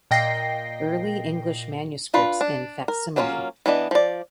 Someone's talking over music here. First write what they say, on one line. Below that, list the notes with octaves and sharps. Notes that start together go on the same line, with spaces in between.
Early English Manuscripts in Facsimile.
A#2 D#5 G5 A#6 C7
D4 F4 B4 B5
D4
A#4
F#3 A#3 C#4 E4 F4
E3 B3 D4 D#5
F3 D5